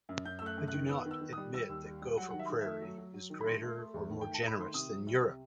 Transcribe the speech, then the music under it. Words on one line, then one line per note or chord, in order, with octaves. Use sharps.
I do not admit that Gopher Prairie is greater or more generous than Europe!
F#2
F#2 G6
E6
A3 F#6
F#2
F#6
D#3
B3 E6
D#3
E6
D#3
D#6
G3
G3 E6
D#2
G3
G3
F#3 F#5
D#3 F#5
E5
D#3
E5
A3
F#3
F#3
F#3
D#3
B5
A3 C6
A3
A3
E2
D#3
A3 G5
A5
A3
B5
D#3 C6
C3 D#6
F#3
C2
C3